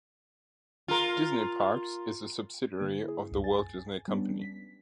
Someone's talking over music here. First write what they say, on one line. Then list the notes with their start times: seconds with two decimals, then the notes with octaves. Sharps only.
Disney Parks is a subsidiary of The Walt Disney Company.
0.88 F4 A#4
2.80 D3 A#3
3.04 E4 G#4
3.31 C2 F#2
3.44 G#5 A6
4.08 G3 B3 C#4 D4
4.41 B6